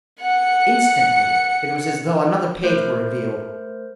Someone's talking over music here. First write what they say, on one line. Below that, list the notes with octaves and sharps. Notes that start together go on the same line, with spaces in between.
Instantly it was as though another page were revealed.
F#5 C#7
A3 A#4 C5 G6